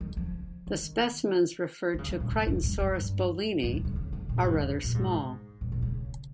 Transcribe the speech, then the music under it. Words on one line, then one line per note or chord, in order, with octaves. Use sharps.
The specimens referred to "Crichtonsaurus bohlini" are rather small.
D#3
F3
D#3
D#3
C#3
C3
A#2
G#2
G#2
G#2
G2
G2
G#2
C3
C#3
C#3
C3
A#2
G#2
G2
F2
A#2
G#2
A#2
A#2
C#3